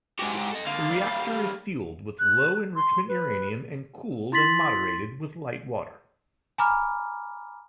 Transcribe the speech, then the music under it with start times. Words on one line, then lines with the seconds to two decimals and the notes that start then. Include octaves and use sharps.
The reactor is fuelled with low-enrichment uranium and cooled and moderated with light water.
0.19 G#2 F#4 G4 F#5 G#5
0.34 E4 A#4 G5
0.51 A4 D#5
0.66 D3 A#3 F5
0.91 G3 A#3
2.20 F#6
2.76 C6
3.08 B4
4.32 E4 C6 A6 B6 F#7
6.58 G#5 A#5 B5 D6 F6